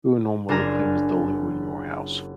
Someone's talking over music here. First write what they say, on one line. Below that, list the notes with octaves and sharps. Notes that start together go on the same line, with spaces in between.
Who normally cleans the loo in your house?
F#1 D4 F4 A#4 G#5 A#5